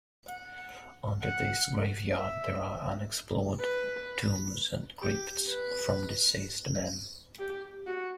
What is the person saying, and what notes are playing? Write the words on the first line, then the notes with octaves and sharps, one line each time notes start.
Under this graveyard there are unexplored tombs and crypts from deceased men.
F#5
F#5
E5
B4
G4
B4
G4
F#4